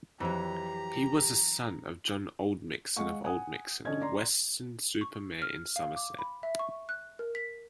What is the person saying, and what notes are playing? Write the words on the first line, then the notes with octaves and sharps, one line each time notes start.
He was a son of John Oldmixon of Oldmixon, Weston-super-Mare in Somerset.
F2 E3 F#3 G4 A#5
G#3 F5 F#5 C#6
F#5 G#5 D#6
D3 C#4 D#5 G#6
D5 A#5 C6
C#6
F6
F5
D6
B5
E5
C#6
F#6
A#4
B6